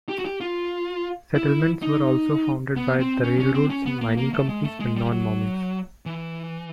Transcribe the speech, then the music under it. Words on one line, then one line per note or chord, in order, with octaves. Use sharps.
Settlements were also founded by the railroads, mining companies and non-Mormons.
G4
F#4
G4
F4
E4
D#4
B3
C4
C#4
C#4
C4
C#4
B3
A#3
A#3
A3
G#3
A3
G#3
G3
F#3
E3